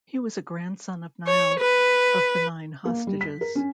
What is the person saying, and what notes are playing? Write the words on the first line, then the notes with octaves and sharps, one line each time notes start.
He was a grandson of Niall of the Nine Hostages.
C#5
B4
A#3
G3
B6
A#4
C#4